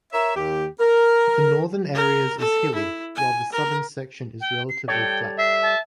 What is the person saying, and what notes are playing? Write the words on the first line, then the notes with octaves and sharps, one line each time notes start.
The northern areas is hilly, while the southern section is relatively flat.
A#4 C#5 E5
D#2 G4
A#4
A#4
A4
E4
G#5
A#4
G5
C7
G3 A4 C#5 G5
E5 C7
A5